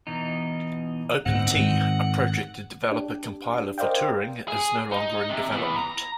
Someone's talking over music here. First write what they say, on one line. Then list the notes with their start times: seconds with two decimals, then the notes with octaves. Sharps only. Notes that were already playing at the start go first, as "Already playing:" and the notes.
OpenT, a project to develop a compiler for Turing, is no longer in development.
0.07 B2 E3 D#4
1.26 G#2 B2 D3 C4 D#4 F#5
1.55 G#2 D#3
2.91 D4 G4
3.78 A#4 C5 D5 D#5 F5 G5
4.48 G#4
4.91 D#4
5.29 C3
5.52 E3 B3
5.76 A#5